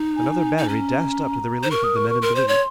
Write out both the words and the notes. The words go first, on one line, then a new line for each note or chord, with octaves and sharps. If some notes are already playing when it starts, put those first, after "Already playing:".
Another battery dashed up to the relief of the men in blue.
Already playing: D#4
G#5
D#4
C#4 A#5
C5
A#4 C#6
D#6
C#6
C#6
A#4 C6
C5
C#5